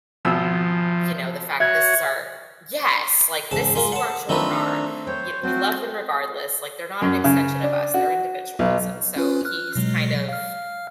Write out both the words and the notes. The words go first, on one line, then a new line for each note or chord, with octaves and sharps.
you know, the fact this is our Yes, like, "This is who our children are, you we love them regardless, like they're not an extension of us, they're individuals," and so he's kind of
G#1 B2 F3 E6
F#4 C#5 E5 G#6
E2 G#2 C#3 A5
G#3 F4 A#4
F#5 A5
D#3 A3 C4 D4 F4 B4 D#5 A#5
C5 C#5 G5
A3 C4 F#4 C5
F#2
C#3
D4
F#4
B1
C#4 F4 B4
F6 F#6
B2 F#3 G#3
F5 F6